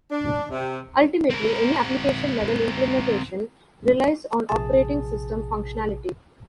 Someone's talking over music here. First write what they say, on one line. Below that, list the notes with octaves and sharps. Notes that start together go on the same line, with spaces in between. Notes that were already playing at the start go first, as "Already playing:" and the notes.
Ultimately, any application-level implementation relies on operating-system functionality.
D4
C3
C4 A#4
A#1 C3 G#4 A5